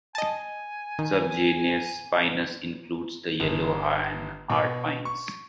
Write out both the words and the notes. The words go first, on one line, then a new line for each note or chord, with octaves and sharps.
Subgenus "Pinus" includes the yellow and hard pines.
D#5 G#5 A5
D#3
G1
B2
C#6